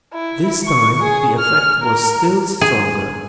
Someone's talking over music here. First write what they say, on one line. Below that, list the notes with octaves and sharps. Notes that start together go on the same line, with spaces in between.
This time the effect was still stronger.
E4
C#6
G#4
F6
A#4
G#4